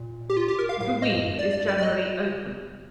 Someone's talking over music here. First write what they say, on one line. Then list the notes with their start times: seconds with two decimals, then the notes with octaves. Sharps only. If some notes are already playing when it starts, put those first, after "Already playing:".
The weave is generally open.
Already playing: A#2
0.30 G4
0.37 F4
0.48 G4
0.59 A#4
0.69 F5
0.80 A2 F5
1.02 D#5
1.15 F2
1.24 G2
1.39 D5
1.53 D5
1.68 D5
1.78 D5
1.82 D#5